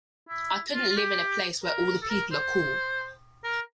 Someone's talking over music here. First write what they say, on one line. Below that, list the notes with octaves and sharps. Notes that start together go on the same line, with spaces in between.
I couldn't live in a place where all the people are cool.
E4
F4
F4
G4
A#4
A4
A#4
C5
A#4